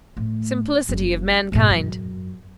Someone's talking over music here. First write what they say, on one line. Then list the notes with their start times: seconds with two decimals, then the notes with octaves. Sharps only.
Simplicity of mankind!
0.17 A2
0.89 F#1
1.52 G#2 B2
1.70 F#2